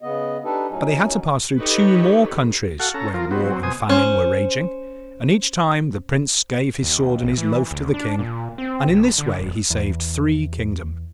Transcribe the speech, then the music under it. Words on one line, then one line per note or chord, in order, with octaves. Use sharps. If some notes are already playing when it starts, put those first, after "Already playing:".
But they had to pass through two more countries where war and famine were raging, and each time the Prince gave his sword and his loaf to the King, and in this way he saved three kingdoms.
C#3 B3 D#5
D4 D#4 G4 A4 B4
F#2 A2 F#3 C#4 D#4
D#4 G4 A4 B4 C#5
F#4 A4 F5 F#5
C#4 A4 A#5
F3 F4 A#4
B3 C4 F#4
F#3 C4
B2 C5 G#5 D#6
C#4 C5
D#2
A#1
E3
D2
D4
A#2
C4
B1
D3
E1
E2